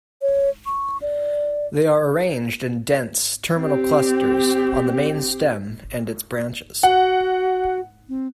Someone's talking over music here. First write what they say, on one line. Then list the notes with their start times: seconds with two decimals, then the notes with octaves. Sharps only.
They are arranged in dense, terminal clusters on the main stem and its branches.
0.22 C#5
0.66 C#6
1.02 D5
3.57 C4 G4
6.83 F#4 F#5
8.09 C4